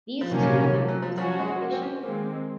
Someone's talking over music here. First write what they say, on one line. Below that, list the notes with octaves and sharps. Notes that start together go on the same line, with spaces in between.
These two improved their hit ratio.
F3
C3 D#3 F#3 A#3 C#4
C#3
C#3
D#3
F3
F#3
F3
F3 F#3 C#4 F#4
G#3
A#3
C4
C#4
D#3 G#3 A#3 C4